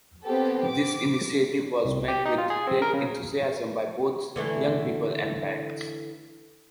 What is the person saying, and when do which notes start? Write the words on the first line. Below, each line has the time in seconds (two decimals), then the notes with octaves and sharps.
This initiative was met with great enthusiasm by both young people and parents.
0.24 B3 C4 G4 A4
0.65 D6
1.85 C2
2.08 G4
2.26 D#4
2.38 F4
2.50 G#4
2.67 C4
2.82 A#4
2.94 C#3
4.36 D3 E3 A3